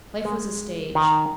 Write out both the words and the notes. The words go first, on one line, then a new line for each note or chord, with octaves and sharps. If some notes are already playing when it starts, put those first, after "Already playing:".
Life was a stage.
G#3
D#3